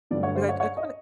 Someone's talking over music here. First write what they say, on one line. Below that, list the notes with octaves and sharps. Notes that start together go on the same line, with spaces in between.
'cause I I just wanna
G2 D3 F#3 A3 D5
C#5
C5
C#5
C#5
D#5